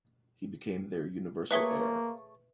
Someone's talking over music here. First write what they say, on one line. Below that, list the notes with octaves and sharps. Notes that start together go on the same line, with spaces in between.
He became their universal heir.
A3 A#3 G#4 B4 C#5 E5 G7